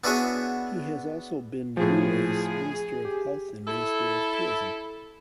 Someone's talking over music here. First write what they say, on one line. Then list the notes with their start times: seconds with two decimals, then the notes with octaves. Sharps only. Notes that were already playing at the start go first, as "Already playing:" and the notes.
He has also been Niue's Minister of Health and Minister of Tourism.
0.04 B3 D4 E4 F#4 G#4 C#5
1.77 A2 F3 G#4
3.05 G4
3.67 E4 A4